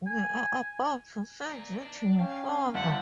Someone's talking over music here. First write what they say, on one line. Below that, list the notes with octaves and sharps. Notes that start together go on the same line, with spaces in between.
We are about to send you to your father.
G#5
D5 A#5
D5 A5
C#4 F5 G5
G1 C4 E5 F#5 A5